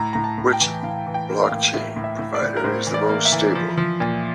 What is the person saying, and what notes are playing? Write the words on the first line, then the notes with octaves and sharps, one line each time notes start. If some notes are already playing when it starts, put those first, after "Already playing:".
Which blockchain provider is the most stable?
Already playing: A2 A#5
A2 A#5
A5
A2
A5
G5
E3
A2 F5
E3
G5
A#3
F5
A2
A2 E5
A2
E5
A2
D5
A2
A#4
A2 C5
E3
D5
A#3
E5
E3
F3
F3
A#2